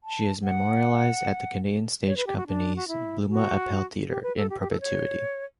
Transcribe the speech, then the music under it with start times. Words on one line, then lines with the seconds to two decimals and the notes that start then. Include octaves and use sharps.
She is memorialized at The Canadian Stage Company's Bluma Appel Theatre in perpetuity.
0.04 A5
0.43 F#5
2.07 C#5
2.17 B4
2.27 G4
2.37 F#4
2.47 D4
2.76 F#4
2.88 E4
3.29 F#4
4.09 G4
4.23 B4
4.37 A4
4.50 G4
4.61 G4
4.71 A4
4.81 C#5